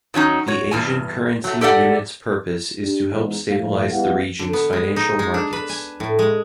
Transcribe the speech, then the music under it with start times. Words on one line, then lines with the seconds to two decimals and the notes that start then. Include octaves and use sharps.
The Asian Currency Unit's purpose is to help stabilise the region's financial markets.
0.14 D#3 F#3 C#4 D#4
0.47 F#4 C#5
0.71 E2 G2 G#5
1.44 F#3 A3
1.61 G4 A4 D5 E5 F#5
2.81 D4 G4
3.11 E2 G#2
3.50 A2 F3 A3 F5
3.90 E2 E3 G3 F5 F#5
4.39 D3
4.53 B3
4.73 G#3
4.96 D#4
5.19 G#3
5.34 D4
5.53 B4
5.69 G#5
6.00 A2
6.19 G#3